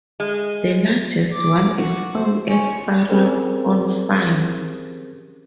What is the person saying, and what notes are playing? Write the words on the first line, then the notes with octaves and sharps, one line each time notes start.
The largest one is found at Sarup on Fyn.
G#3
D6
F#4
C5
C#4
C4 C#4 G4 G#4 A#4 C5